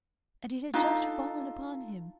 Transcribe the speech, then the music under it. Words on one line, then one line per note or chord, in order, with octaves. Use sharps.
And it had just fallen upon him.
D4 D#4 F4 A4